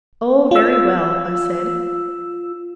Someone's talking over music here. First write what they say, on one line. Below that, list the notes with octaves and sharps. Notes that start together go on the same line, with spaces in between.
"Oh, very well," I said.
F4 E6